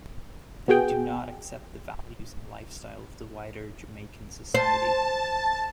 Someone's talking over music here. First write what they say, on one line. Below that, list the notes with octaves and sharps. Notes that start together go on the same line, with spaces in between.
They do not accept the values and lifestyle of the wider Jamaican society.
B3 F#4 G#4 G5
C5 A5